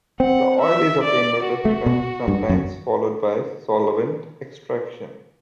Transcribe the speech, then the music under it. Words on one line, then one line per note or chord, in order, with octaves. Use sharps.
The oil is obtained by pressing, sometimes followed by solvent extraction.
C4 F#5
E5
D5
F#4
A3
B2
G2
F#2